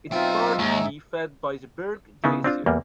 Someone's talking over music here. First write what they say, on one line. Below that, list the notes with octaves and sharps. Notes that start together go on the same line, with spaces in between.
It is partly fed by the Berg Glacier.
B2 F#3 C4 D#4 F4 E5 G5
D#2 G#2
C#3 B3 D#4 E4
C4 D4 F4
E2 G3 A#3